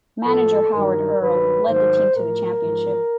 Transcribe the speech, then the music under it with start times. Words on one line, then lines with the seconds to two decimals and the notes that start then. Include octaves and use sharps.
Manager Howard Earl led the team to the championship.
0.25 A2 F3 A4
0.73 G2 D#3 F#3 A#4
1.20 G2 D#3 F#3 B4
1.67 G#2 D#3 F#3 C5
2.15 A2 F3 A#4
2.63 G#2 F3